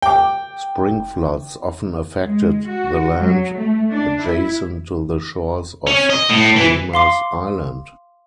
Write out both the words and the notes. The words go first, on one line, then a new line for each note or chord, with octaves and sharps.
Spring floods often affected the land adjacent to the shores of Demers Island.
G5 D6
G#3
F#4
F#3
A3
D4
E4
C#4
D#5
A2
E3
F5 C6 D6